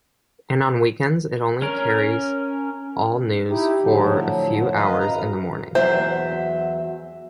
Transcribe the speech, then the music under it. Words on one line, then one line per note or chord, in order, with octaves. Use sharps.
And on weekends it only carries all-news for a few hours in the morning.
C#4 A#4
D#4 E4 G4
A2 D3 F3 F#3
B4 D#5 F5
F#2 A#5
E2 F#3 C5 E5